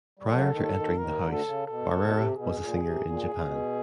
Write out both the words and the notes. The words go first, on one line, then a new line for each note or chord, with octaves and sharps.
Prior to entering the house, Barrera was a singer in Japan.
G3
F#2 F#3 A4
D3
D#2 D#3
A4
D#2 D#3
D#2 D#3 A#4
D2 D3
A4
C#3
B2 A4
B2
B2
C3
B2 G#4
A#2
C3
A#2
A#2
B2